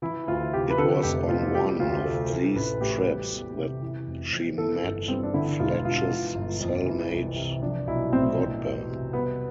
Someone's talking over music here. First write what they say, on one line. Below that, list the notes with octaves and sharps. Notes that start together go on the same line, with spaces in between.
It was on one of these trips that she met Fletch's cell-mate Godber.
E3 E4
D2 F4
C3 G4
B4
D3 A4
F1 G4
F2 F4
G3 G4
D2 F4
C3 A4
E3 A4
A1 B4
A2 G4
G3
E2
C3
E3
F1
F2
E3 A4
G1
G2 C4
D4
D3 E4
E1 F4
E2 F4
E3
G1
F2
E3
C2
C3
F3 D4
B1 E4
A2 C4
E3
E2
C3
G3 B3